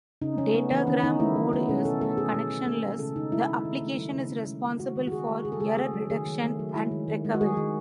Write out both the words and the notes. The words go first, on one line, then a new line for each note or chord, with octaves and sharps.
Datagram mode is connectionless; the application is responsible for error detection and recovery.
C#3 D#4
C#3 C#4
A3 B3
E3 B3
D#3 C#4
D#3 D#4
A3 E4
F#3
A3 B3
B2 C#4
B2 A4
A3 A4
A3 G#4
B2
B2
A3
G#3
C#3 A4
C#3 D#4
G#3 E4
D#3
D#3
A3
F#3
C#3
C#3
G#3
E3
G#3 F#4
D#3
F#4
D#3 G#4
G#3
C#3 G#4
A4
C#3 G#4
A3 G#4
F#3
D#3 G#4
D#3
A3
F#3
G#3 E4
D#3
D#3
G#3
F#4
G#3 G#4
D#3